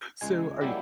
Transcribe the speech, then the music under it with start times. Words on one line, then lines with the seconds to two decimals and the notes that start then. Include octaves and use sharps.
So, are y
0.21 C#2 G#3 G#5
0.61 F#3 G3 A#3 E4 G4